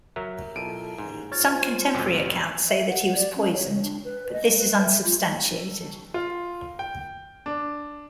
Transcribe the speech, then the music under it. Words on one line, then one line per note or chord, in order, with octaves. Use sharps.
Some contemporary accounts say that he was poisoned, but this is unsubstantiated.
F#3 A#4 E5 A#5
B1 E4 F4 A4 D7 D#7
A1 D#2 G#2
F4 C5 C#5 F6 A6
A1 F2 C3 F#3 G4
E5
F#5
D5
C#4
C#5
G#3
D4
B4
D#5
B4
E5
F4
F4
G5
D4